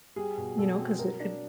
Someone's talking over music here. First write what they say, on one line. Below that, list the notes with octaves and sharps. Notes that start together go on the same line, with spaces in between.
You know, 'cause it could
G3 G#4
B2
B2 A4
C4
F#3 A#4
D4